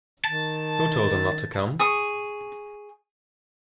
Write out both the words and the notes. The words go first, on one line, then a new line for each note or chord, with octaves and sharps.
Who told him not to come?
D#3 A5
G#4 C#6 D#6